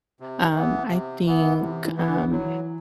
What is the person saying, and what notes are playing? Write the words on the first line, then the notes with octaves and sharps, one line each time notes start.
Um, I think, um,
C3
E3 B3
C3
E3 B3
C3 E3
E3
E3 B3
D3
E3 F#3